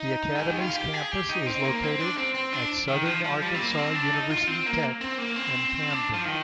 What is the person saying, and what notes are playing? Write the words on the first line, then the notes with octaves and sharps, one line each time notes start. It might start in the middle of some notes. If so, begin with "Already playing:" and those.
The Academy's campus is located at Southern Arkansas University Tech in Camden.
Already playing: D#4
G#4
G4
F4
G4
G#4
G4
D#4
C4
A#3
C4
D4
C4
C4
D4
D#3
F3
F3
G3
C4
A#3
C4
D4
D#4
F4
C4
A#3
C4
A#3
C4
D4
F3
D#3